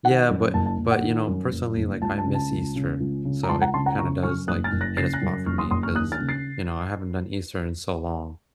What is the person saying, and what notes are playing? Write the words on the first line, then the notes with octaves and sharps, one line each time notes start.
Yeah, but but, you know, personally, like, I miss Easter, so it kinda does, like, hit a spot for me 'cause, you know, I haven't done Easter in so long,
D#3 F#5
F#2
F#1 A5
A5
F#1
F#5
D#3
F#2
F#1
F#1
C#2 A5
A5
C#3
A5
C#2
C#3
C#2
C#3
A#5
C#2 A5 C6
F#5 A#5
C#3 A5 C6
F#5 A#5
C#3 A#5 C#6
F#2 C#6 F6
F#1 D#6 F#6
F6 A6
F#1
F#6 A#6
C#3 A6 C7
F#6 A#6
F#2
F#1 C#6 F6
C6 D#6
F#1 C6 D#6
C#6 F6
D#2 D#6 F#6
F6 A6
C#3
A6 C7